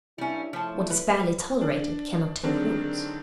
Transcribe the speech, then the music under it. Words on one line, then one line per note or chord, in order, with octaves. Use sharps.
What is barely tolerated cannot take root.
G2 G3 C#4 D4 E4
F3 A3 E4 C#5 A5
B4
D4
D3 D#3 F#3 G#3 C4 D4